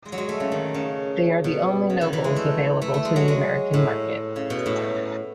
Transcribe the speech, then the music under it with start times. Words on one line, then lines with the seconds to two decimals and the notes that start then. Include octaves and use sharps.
They are the only Nobles available to the American market.
0.06 G#3
0.12 F#3
0.18 G#3
0.29 A3
0.40 C#3
0.52 D#3
0.74 C#3
1.44 B2
1.90 C#3
2.01 D#3
2.13 E3
2.24 G#3
2.36 A3
2.82 A3
2.94 A3
3.05 G#3
3.16 F#3
3.28 G#3
3.74 A2
4.36 C#3
4.50 B2
4.66 A2